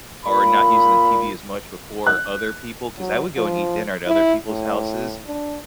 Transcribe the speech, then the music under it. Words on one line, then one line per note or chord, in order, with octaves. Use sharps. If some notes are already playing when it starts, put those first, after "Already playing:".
or not using the TV as much before other people 'cause I would go and eat dinner at other people's houses,
A#2 B5
F#6
F#3
F3
E4
A2
D4